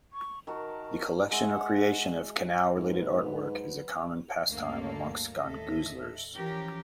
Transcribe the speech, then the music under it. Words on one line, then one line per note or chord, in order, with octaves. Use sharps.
The collection or creation of canal related artwork is a common pastime amongst gongoozlers.
C#6
D#3 F#4 A#4 A5
G#3 E5 F#5
G#2 F#3 B4
D2 G2 A#3 D4 A4 F5
D#2 A2 A4 D#5 E5
E3 F3 C#4 G4 A#4